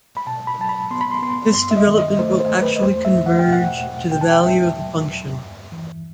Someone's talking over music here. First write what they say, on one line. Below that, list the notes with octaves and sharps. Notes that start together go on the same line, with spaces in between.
This development will actually converge to the value of the function.
B5
B2 A5
B5
F#3 A5
B5
B3 C6
B5
C6
B3 C6
G2 C6
E5
D#5
D#3
D#5
A3 C5
C5
A3
B4
D#5
E2 C5
E5
E2
F#5
G5
B2
F#5
E2
B2 G5
A5
G5
E2 E5
F#3
E2
G2
E3